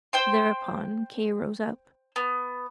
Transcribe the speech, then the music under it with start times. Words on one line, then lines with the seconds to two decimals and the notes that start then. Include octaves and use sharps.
Thereupon Kay rose up.
0.13 C5 G5 C6
2.16 B3